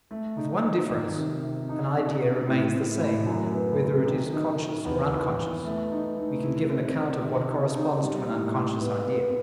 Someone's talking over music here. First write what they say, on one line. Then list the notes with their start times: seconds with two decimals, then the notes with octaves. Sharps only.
With one difference, an idea remains the same whether it is conscious or unconscious; we can give an account of what corresponds to an unconscious idea.
0.11 A3
0.37 D#4
0.63 D#4
0.90 D#3
1.17 C3
1.42 C3
1.69 D#4
1.95 C3
2.21 C3
2.48 A2
2.74 A2
3.01 A2
3.26 F#2
3.54 B3
3.80 F#3
4.07 D#3
4.33 D#4
4.58 D#4
4.85 E2
5.12 E2
5.38 E3
5.65 A3
5.91 D#4
6.17 A3
6.43 E4
6.70 C4
6.96 D#3
7.23 C3
7.49 D#4
7.75 D#4
8.02 G3
8.28 A2
8.55 A2
8.81 B3
9.06 B3